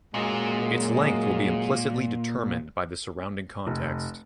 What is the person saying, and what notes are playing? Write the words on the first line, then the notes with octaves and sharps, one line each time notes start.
Its length will be implicitly determined by the surrounding context.
F#2 A#2 F#3 G#3
F1